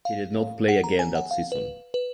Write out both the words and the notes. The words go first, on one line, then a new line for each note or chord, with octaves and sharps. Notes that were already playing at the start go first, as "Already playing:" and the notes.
He did not play again that season.
F5
F#5
A#5
G#5
F#5
F5
B4
B4